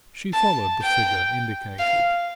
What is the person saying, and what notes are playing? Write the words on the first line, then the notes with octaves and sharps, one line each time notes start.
She followed the figure indicated.
A5
G5
F5